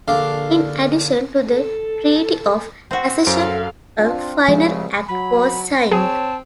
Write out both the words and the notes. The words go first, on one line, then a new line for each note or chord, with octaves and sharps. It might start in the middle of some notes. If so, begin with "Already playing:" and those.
In addition to the Treaty of Accession a Final Act was signed.
A#1 D3 F5 D6
A4
C4 F#4
F#2 A4 C5 F5 D7
C4 D4 F4
C2 C#3 F3 G#3
F#3 B5
C4 G#4 C#5 A5